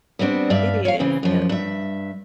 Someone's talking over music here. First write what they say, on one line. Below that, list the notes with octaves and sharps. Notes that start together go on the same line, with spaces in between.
It is, yep.
G3 B3 C4 D4 F#4
G2 D5 E5 F5
C#5 F5
C#3 E3 C4
F#2 F3
G2 E5